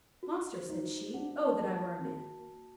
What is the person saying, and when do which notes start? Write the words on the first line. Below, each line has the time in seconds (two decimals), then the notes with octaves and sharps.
"Monster!" said she; "oh! that I were a man!"
0.23 F#4
0.53 C5
0.69 D#4
0.84 F#4
1.14 D4 F#5
1.44 A5
1.60 A#3
1.75 A5
1.99 C4
2.05 A#3 F#4